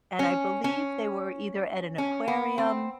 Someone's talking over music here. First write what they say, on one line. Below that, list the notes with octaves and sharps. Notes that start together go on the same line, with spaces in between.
and I believe they were either at an aquarium,
C#4
C#4
C#4
B3
C4